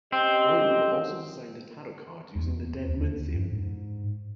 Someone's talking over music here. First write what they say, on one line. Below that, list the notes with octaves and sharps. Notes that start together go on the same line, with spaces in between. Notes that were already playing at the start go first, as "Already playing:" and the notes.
Royo also designed a tarot deck using the "Dead Moon" theme.
C4 C#4 G4 D#5
E2
D#2
F#2
G#2